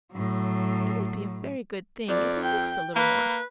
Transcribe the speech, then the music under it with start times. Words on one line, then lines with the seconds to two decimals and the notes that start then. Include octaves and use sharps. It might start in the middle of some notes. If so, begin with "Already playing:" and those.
It would be a very good thing if they mixed a little more.'
0.13 A2 F#3
2.08 F2 D5
2.44 G5
2.96 A#3 B4